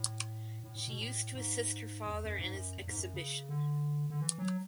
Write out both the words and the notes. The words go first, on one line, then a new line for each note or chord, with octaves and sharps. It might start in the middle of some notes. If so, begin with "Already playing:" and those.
She used to assist her father in his exhibition.
Already playing: A2
A2
A2
B2
A2
G#2
E2
F#2
G#2
F#2
E2
G#2
F#2
C#3
D3
D3
E3
F#3